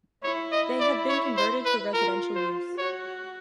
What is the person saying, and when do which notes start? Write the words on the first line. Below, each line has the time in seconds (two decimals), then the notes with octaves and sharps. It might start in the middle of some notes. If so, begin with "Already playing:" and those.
They have been converted for residential use.
0.23 E4 C#5
0.52 D#5
0.80 D5
1.09 C#5
1.37 C5
1.65 B4
1.93 F4 A#4
2.35 C5
2.78 F#4 C#5